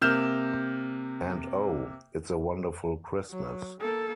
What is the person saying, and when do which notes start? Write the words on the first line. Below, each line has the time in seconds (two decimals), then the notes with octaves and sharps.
And oh, it’s a wonderful Christmas.
0.01 C3 A#3 F6 G6 E7
3.31 F#3
3.81 A#3 A4